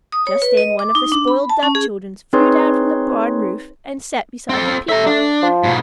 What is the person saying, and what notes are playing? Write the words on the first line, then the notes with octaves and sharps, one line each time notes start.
Just then one of the spoiled Dove children flew down from the barn roof and sat beside the Peacock.
D#6
C#5
B4
D#5
D6
D#4
D4
B5
A5
C#4
G#4
C4 D#4 G#4 B4 C#5 C6
C4 A4
A3 E5 A#5
D4
F3
G#2 B2